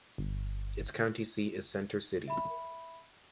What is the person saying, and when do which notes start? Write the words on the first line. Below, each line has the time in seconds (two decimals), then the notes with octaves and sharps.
Its county seat is Center City.
0.18 G1
2.28 E5 B5